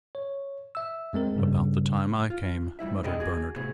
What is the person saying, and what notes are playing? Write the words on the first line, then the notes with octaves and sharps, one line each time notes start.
"About the time I came," muttered Bernard.
C#5
E5 E6
F2 G#3 C4 A#4
G2 C#3 G3
F4
F2 G3 E4 E5
D2 B2 D3 G#4 D#5 G5
F#4 G#4
A2 C3 B3 G#4